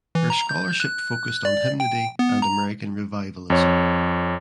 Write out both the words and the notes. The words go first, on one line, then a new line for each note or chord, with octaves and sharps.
Her scholarship focused on hymnody and American revivalism.
E3
A#5
G6
F#6
D5
G5
B3
A#5
F2 C#5